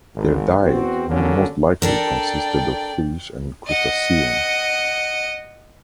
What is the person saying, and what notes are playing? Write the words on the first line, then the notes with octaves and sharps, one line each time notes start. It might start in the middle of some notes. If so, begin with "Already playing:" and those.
Their diet most likely consisted of fish and crustaceans.
G#1
E2 C4 F#4
D#2 A2 D3 F#3 A#3 C#4
D4 A4 A#4 D5 G5
D#5 F#5